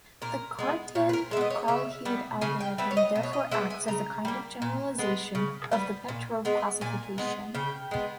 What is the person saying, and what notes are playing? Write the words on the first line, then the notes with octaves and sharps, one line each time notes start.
The Cartan-Karlhede algorithm therefore acts as a kind of generalization of the Petrov classification.
A#2 A#4
G#3 B3
A#2 C#5
B4
A#4
G#3 E5
B3 D#5
C#5
C#3 E5
G3 B3
C#3 G#5
G5
G3 B3 E5
C#5
D#5
B2
C#5
D#5
G#3 B3 E5
G#5
C#3 A#5
G3 A#3
A#2
G#3 B3
C#3
G3 B3
A#2
G#3 B3
A#2 G#5
G#3 B3
C#3 G5
G#3 B3